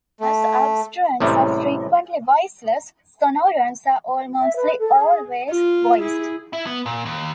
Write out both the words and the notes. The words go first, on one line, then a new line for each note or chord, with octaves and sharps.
Whereas obstruents are frequently voiceless, sonorants are almost always voiced.
A3
A1 A2 C3 G3 G#3
E5
B4
A4
G#4
F4
E4 G#4
E4
B3
A#2
D#2